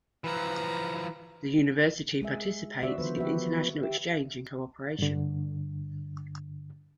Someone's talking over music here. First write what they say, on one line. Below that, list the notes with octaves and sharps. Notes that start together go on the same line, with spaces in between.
The university participates in international exchange and cooperation.
E3 F3 B4 A#5
G#3 G#4 E5
D3 F#4 C5 D5 E5
D3 D#3 F3 B3 B4 C5
F#4 G4 E5
G4 E5
G2 D3